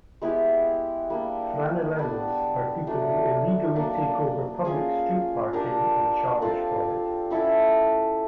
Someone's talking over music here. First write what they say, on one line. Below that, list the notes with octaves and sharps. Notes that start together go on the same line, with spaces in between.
Franeleros are people who illegally take over public street parking and charge for it.
G#3 B3 E4 G4
G3 A#3 D4
G3 B3 D4
F#3 A3 D4
F#3 A#3 D4
C#4 F4 G#4
D4 G4 A#4
C4 F4 A4 D5
C#4 E4 A4